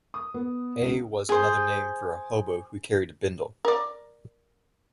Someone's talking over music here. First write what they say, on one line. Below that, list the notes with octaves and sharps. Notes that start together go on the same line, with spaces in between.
A was another name for a hobo who carried a bindle.
D#6
B3
C#2
G#4 C5
A#4 D5